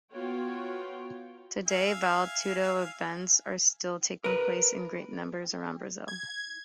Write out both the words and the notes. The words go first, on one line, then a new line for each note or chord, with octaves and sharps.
Today, Vale Tudo events are still taking place in great numbers around Brazil.
B3 F4 F#4 C#5 G5
E5 F5 G#5
A#4 B4
G#6